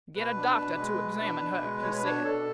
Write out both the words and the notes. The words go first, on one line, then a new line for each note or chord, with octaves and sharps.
"Get a doctor to examine her," he said.
B2 B4
D4
B2
G#3
B2
D4
B2
G#3
B2 C#5
B4
D4 C#5
B2 A4